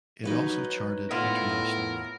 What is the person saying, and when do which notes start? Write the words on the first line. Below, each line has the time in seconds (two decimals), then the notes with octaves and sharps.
It also charted internationally.
0.24 F#3 D#4 B4 C#5
1.11 A2 B3 E4 F4 A#4